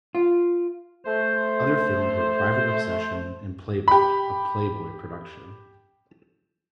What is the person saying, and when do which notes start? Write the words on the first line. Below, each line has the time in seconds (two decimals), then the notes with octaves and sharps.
Other films were "Private Obsession" and "Playback", a "Playboy" production.
0.15 F4
1.06 A3 C5
3.88 G4 B5